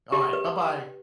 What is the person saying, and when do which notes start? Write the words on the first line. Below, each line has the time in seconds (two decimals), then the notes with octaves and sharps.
all right, buh-bye.
0.12 G4
0.33 B4